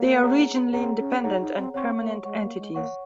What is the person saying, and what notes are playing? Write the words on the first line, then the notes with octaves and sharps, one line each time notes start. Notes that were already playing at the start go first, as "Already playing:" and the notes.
They are regionally independent and permanent entities.
Already playing: A#3 G#4 C#5 F#5 A#5
G#4 C#5 F#5 A#5
C4 G#4 C#5 F#5 A#5
C#4
D#4 G#4 C#5 F#5 A#5
D#4
C4
C4 C#5 F#5 C#6
A#3
G#3 C#5 F#5 C#6
A#3
G#3
A#3 C#5 F#5 C#6